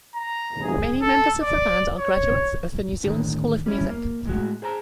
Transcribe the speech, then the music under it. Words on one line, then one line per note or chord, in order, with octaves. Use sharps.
Many members of the band are graduates of the New Zealand School of Music.
A#5
G#4
A4
D5
C#5
A2 D3 D#3
G3 C#4 E4
A#3
A2 G#3 F#4
G#4 C5 A5 A#5